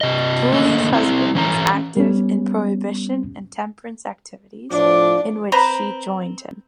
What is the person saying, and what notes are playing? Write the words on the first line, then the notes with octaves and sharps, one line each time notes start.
Boole's husband was active in prohibition and temperance activities, in which she joined him.
C3 D#5
D3 A3 A#3 A4 D#5
C4 E4
E3 C#4 A#5
G3 B3 C#4
A2 F3 D4 D6
C4 B4 C5 A#5